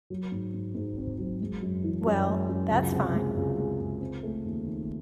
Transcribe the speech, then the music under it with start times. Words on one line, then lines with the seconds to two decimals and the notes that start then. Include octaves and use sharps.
Well, that's fine.
0.10 F#3
0.32 G#2
0.54 G#2
0.75 G#2
0.97 C4
1.19 F#3
1.41 G#3
1.62 F#2
1.84 E3
2.06 F#2
2.27 G#3
2.49 F#2
2.71 C#2
2.92 C3
3.14 G#3
3.36 C#2
3.57 G#3
3.80 C#2
4.01 C4
4.23 A3
4.45 D#2
4.66 D#3